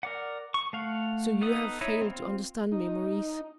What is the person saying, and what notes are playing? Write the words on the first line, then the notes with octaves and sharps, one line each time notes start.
So you have failed to understand me, Maurice.
A#4 D5 F#5
C#6
A3 F5 F#5
B3 D#4 A4 F#5 D#6
D#4 E4 C#5
C4 F4
D#4